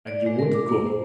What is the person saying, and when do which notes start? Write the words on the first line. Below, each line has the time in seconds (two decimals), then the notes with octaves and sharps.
And you won't go?
0.07 D5
0.26 G#3
0.39 A#4
0.54 D6
0.69 A#3
0.87 C5